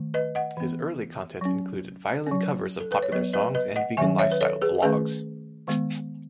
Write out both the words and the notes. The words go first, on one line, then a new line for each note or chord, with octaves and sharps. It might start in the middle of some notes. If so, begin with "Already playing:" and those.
His early content included violin covers of popular songs and vegan lifestyle vlogs.
Already playing: D#3 A3
B4 D#5
D#5 F#5
E3 B3
F#3 C#4
F#3 C#4
A4
B4
C#5
F#3 B3 B4 D#5
B4 D#5
B4 D#5
D#5 F#5
D#3 F#3 C#4 E5 G#5
C#5 E5
B4
A4 C#5
G#4 B4
D#3 A3 C#4 G#4 B4
D#3 G#3 B3